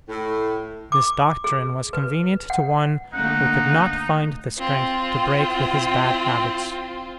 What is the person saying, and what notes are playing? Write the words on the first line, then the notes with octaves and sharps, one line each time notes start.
This doctrine was convenient to one who could not find the strength to break with his bad habits.
A2
D6
G#4
B4
F#5
D3 A3 A#3 D#4 F#5
C4 F4